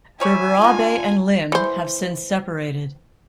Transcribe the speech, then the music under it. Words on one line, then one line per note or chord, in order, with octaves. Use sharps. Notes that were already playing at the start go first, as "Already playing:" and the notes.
Berberabe and Lim have since separated.
G3 C#5 D5 E5 G#5
D3 D#3 F4
E3 C5